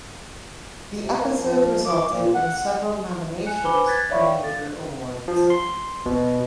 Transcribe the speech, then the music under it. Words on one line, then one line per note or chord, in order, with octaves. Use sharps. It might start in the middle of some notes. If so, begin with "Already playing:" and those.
The episode resulted in several nominations for major awards.
C3
A#3
F3
D6
A#2
F#5
G#5 F#6 C#7
B4 C5 G#5 B5 D6 G7
F#6 G#6 A6 B6
C#5 D5 E5 F5 B5 C#6
F5 G5
A4 A6
F3
C6
B2